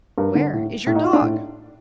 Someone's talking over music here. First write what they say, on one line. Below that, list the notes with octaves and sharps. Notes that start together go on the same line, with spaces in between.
"Where is your dog?"
G2 A#4
D3
A2
A2
D#4
F4
D4
A2